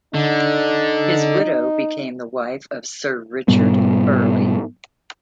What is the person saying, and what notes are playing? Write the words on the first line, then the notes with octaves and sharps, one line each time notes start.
His widow became the wife of Sir Richard Burley.
D3 D#4
G#2 B2 G3 B3